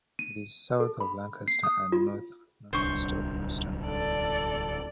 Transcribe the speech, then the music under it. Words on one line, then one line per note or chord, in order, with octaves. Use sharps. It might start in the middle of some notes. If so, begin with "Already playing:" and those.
It is south of Lancaster and north-northwest of Preston.
D#7
A4
B5
C7
D#6
F4
D1 C2 D4 C5 C#6
A4 D5